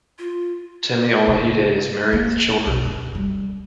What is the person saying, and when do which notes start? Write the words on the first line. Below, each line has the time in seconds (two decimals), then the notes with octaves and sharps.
Temi Olajide is married with children.
0.18 F4
1.28 C#3
2.13 A#3
2.66 B1
2.85 F#2
3.15 G3